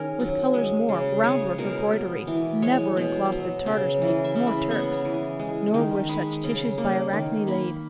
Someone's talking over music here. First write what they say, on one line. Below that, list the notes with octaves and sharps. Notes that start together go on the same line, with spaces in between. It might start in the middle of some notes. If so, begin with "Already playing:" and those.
With colours more, groundwork or broidery Never in cloth did Tartars make nor Turks, Nor were such tissues by Arachne laid.
Already playing: D#3 C#4 G#4 A#4
F#3
G#3
C#3
G#3 C#5
B2 A#4
B3
E3
G#3 C#5
B2
F#3
C#3
E3
E5
C#3
B5
B3 C#6
E3
G#3
D#3
G#3 B5
C#3
A#3
D#3
A#3 B5